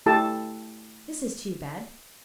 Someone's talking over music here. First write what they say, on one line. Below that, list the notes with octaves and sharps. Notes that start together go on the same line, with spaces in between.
This is too bad!
A3 E4 G4 A4 A5